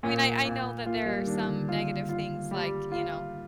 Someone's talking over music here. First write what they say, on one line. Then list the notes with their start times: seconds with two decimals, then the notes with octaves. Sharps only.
I mean, I I know that there are some negative things, like, you know,
0.03 A#2 A#3
0.45 A#2
0.86 A#3 F4
1.06 G3
1.27 D#3 D4
1.47 D3
1.68 F4
2.09 F4
2.51 G3
2.92 F4